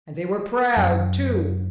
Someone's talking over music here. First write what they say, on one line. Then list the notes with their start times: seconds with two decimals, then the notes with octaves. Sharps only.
And they were proud, too.
0.76 F#2